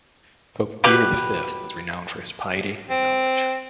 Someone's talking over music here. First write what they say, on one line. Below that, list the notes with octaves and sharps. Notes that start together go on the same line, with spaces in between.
Pope Peter the Fifth was renowned for his piety and knowledge.
B2 G4 B4
C4